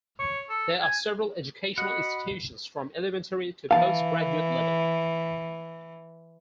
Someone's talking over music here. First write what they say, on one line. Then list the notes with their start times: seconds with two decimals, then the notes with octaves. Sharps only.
There are several educational institutions from elementary to post-graduate level.
0.19 C#5
0.49 A4
0.82 G#5
1.78 F#4 D#5 F#5 B5
3.71 E3 F5 A5